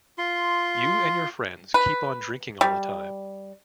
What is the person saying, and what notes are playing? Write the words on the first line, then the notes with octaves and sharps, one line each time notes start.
You and your friends keep on drinking all the time.
F4 C6
B4
G3